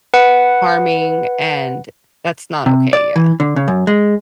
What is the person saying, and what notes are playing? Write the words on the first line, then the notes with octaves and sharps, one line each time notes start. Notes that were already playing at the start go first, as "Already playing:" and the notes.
harming, and that's not OK, yeah.
B4 F#5
C3
D5
E3
D3
C#3
F#2
G#3